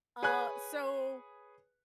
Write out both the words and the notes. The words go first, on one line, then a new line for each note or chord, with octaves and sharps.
Uh, so
G#4 B4 C#5 G#5 F#6